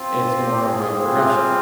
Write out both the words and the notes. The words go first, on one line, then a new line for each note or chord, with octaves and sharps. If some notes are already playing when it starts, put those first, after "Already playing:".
It's more of a progression.
Already playing: C4 F4
G4
G#4
G3 C4 F4